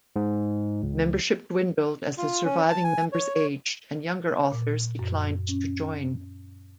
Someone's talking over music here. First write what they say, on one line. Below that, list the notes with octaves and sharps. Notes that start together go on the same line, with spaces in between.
Membership dwindled as the surviving members aged and younger authors declined to join.
G#2
C#2
F4
C#4
A5
G#5
C#5
C#5
A#2
F#2
C#4